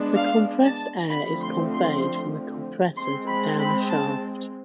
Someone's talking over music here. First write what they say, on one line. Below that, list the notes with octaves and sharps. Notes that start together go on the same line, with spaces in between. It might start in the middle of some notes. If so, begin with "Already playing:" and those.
The compressed air is conveyed from the compressors down the shaft.
Already playing: G#3 B3 D4
F5
A5
D3 F3 A3 C4 B5
C6
C6
G#3 C4 C6
B5
B5
A5